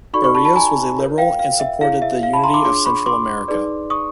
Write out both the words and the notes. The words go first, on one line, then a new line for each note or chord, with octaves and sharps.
Barrios was a liberal and supported the unity of Central America.
D#4 F#4 A4 D5 B5 C#6
B5 C#6
A5 B5
A5 B5
G#5 A#5
F4 A#4 C#5
F5 G5
F5
E5
E4 G#4 C#5 F5
E5
F5
A5 B5
A#5 C6
C6 D6
D4 F4 G#4 C#5 C6 D6
B5 C#6
C6 D6
D#4 G#4 B4 D5
C#6 D#6